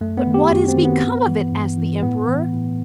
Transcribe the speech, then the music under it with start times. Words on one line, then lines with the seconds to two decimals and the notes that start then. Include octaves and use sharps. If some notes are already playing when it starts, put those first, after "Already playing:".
"But what is become of it?" asked the Emperor.
0.01 F#2 A3
0.17 B3
0.27 D#3
0.34 G4
0.51 F#2 F#4
0.68 C4
0.77 D#3
0.85 B3
1.02 G2
1.27 E3
1.52 G2
1.77 E3
2.03 A2 B3
2.28 E3
2.53 A2